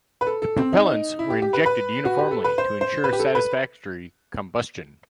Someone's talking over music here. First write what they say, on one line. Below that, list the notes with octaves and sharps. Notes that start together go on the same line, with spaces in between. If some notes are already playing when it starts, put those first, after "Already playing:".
The propellants were injected uniformly to ensure satisfactory combustion.
B4
A4
A4
C4
D#4
E4
G4
G4
B4
B4
F#4
G4
A4
B4
C5
C5
B4
G4
A4
B4